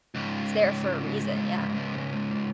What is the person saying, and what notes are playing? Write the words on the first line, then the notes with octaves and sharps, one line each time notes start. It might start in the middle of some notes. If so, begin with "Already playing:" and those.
It's there for a reason, yeah.
C#2 G#2